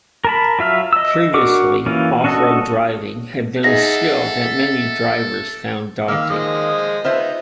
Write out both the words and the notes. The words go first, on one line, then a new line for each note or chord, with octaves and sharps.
Previously, off-road driving had been a skill that many drivers found daunting.
A#4 A5 B5
F#3 F4 E5 F6
D#5 E6
D4 F#4 A#4 D6
E3 A#3 C#4 F4
C#4 D4 F#4 A4 D#5
D#4 G#4 A4 E5 F#5 A#6
D#3 A#3 F5 E6
F3 G#3 D#5
B3 D#4 F4 C5 E5